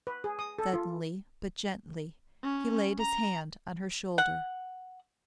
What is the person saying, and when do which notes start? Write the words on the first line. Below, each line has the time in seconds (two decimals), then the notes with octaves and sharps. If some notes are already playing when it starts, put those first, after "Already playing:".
Suddenly but gently he laid his hand on her shoulder.
0.07 B4
0.24 G#4
0.39 D#6
0.59 A4
0.74 F4
2.43 C#4
2.99 A#5
4.18 F#5